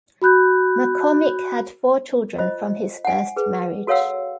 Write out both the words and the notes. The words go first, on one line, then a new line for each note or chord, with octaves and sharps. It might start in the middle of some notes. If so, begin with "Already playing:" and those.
McCormick had four children from his first marriage.
F#4 B5 F#6 G6
F4 C5 D#5
F#5 G#5
G#4 B4
F#4 A4 C#5 F5 F#5 E6